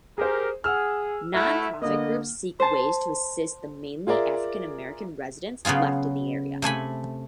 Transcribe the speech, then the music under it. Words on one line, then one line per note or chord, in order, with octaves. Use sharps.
Non-profit groups seek ways to assist the mainly African-American residents left in the area.
G4 G#4 A#4 C5
G#4 F#5 E6 F6
A3 E4 F#4 E5 F6
D3 A#3 B3 D#5
C5 A5
F4 G#4 A#4 D5 E5
C#3 F#3 B3 F4 G#4
C3 A3 G#5 B5